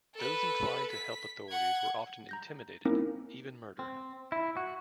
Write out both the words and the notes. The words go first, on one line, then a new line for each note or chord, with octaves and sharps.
Those inclined to help authorities were often intimidated, even murdered.
A4 B4
B6
F#5 G#6
A#5 G6 A#6
A#3 C4 C#4 D#4 E4 A#4
C4
E4
F#4